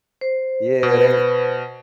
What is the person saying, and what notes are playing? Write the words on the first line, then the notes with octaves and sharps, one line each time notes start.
Yeah, they,
C5
B2 B4